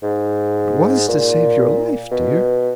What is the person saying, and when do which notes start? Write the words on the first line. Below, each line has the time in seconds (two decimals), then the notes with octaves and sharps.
"It was to save your life, dear."
0.03 G#2
1.08 A#2
2.11 B2